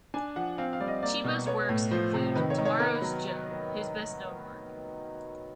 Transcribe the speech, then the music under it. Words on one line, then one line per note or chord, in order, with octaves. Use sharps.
Chiba's works include "Tomorrow's Joe", his best known work.
D4 G#5
F3 F#5
C4 F5
F5
G3 D5
D#5
A#3 D5
B2
B3 C#5
A2
F3 C5
C3
D#3 B4
C#5
D#3
C#5
B3 A#4
B4
F#3